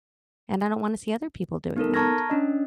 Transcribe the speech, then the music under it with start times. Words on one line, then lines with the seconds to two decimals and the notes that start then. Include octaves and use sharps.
and I don't wanna see other people doing that.
1.76 B3 D#4 A4 A#4
1.94 A5 A#5 C#6 F6 G#6 A#6
2.30 C#4 D4 D#5